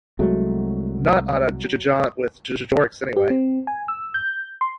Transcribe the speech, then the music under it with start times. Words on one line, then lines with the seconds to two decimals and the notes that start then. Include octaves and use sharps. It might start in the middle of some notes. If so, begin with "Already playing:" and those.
Not on a j-j-jaunt with J-J-Jorrocks anyway.
0.19 C2 F#3 G#3 A3
3.16 G4
3.30 C4
3.67 G#5
3.88 E6
4.14 G6
4.61 C6